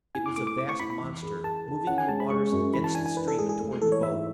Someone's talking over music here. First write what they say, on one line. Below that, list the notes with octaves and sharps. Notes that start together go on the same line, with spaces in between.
It was a vast monster, moving in the waters against the stream and toward the boat.
E4 G#5
D6
A3 D6
D6
A3 D6
C#6
E4 B5
B5
E3
G#4
G#4 A5
G#4
C#4 F#5
G#5
G#3 A5
B5
G#3 C#6
F#2
E3 B5
A5
D4 G#5
G#5
D4 B4
A4
G#3 G#4
G#4
A3
E3 A4
C#5
G#2 E5